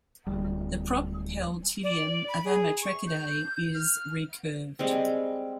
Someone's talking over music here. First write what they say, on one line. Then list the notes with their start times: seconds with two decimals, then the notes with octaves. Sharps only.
The propeltidium of Ammotrechidae is recurved.
0.27 D1 G3
1.84 D5
2.28 B5
2.45 G#4
2.83 C#6
3.07 G6
3.75 F6
4.79 G3 G#3 C4